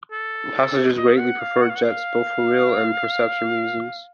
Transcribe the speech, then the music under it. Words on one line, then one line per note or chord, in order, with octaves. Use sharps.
Passengers greatly preferred jets, both for real and perception reasons.
A4
D#5
F#5
F5
F#5
F5
F#5
F5